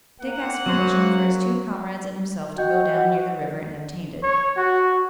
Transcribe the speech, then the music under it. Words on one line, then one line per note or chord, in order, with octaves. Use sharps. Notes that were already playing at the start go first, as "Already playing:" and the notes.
Dick asked permission for his two comrades and himself to go down near the river and obtained it.
A#3 F#5
F#3 C#4 C5
F#4 D#5 F#5 G5 G6
C#5
F#4